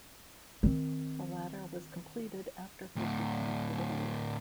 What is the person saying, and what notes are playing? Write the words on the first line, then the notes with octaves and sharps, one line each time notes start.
The latter was completed after his return to Italy.
D#3 C4
D2 A2